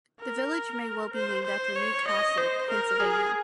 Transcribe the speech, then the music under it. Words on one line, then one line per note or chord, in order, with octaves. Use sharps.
The village may well be named after New Castle, Pennsylvania.
A#4
C5
C5
C#5
D#5
C5
A#4
G#4